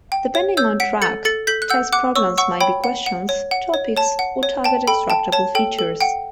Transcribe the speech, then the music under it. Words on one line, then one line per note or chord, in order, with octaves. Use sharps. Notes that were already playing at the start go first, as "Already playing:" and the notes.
Depending on track, test problems might be questions, topics, or target extractable features.
G5
C#5
C#5 E6 G6
F#5 B6 D7
A4 A6 C#7
A4 A6 C#7
A4 G6 B6
F#6
F#5 E6 G6
F#5 D6 F#6
C#5 C#6 E6
F#5 C#6 E6
C#5 G5 B5
F#5
F#5
C#5
F#5
C#5
C#5 A5
F#5
C#5
G5 A5
A4 G5 B5
G5 A5
C#5 A5
A4 G5
A4
F#5 G5